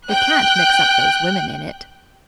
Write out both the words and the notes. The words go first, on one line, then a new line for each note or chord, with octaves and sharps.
We can't mix up those women in it.
G5 F#6